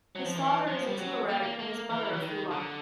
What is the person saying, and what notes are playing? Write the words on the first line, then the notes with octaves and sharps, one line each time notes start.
His father is a Tuareg and his mother a Fula.
F#3
F3
E3
F3
G3
F#3
A#3
A#3
A#3
E3
E3
D#3
D3